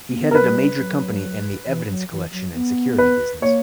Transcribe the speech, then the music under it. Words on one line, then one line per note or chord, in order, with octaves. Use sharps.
He headed a major company in the evidence-collection and security business.
A#3
B3
A#4
B4
F#3
G3
F#3
E3
F#3
E3
F#3
B3
B4
A#3 C#5